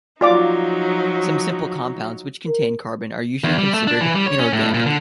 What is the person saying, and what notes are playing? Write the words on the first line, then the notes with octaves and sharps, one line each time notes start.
Some simple compounds which contain carbon are usually considered inorganic.
F3 F#3 D#4 F4 D5 D6
A#4
E2
G3
A3
D4
E3
G3
C#5
C#4
A2
A#2
D3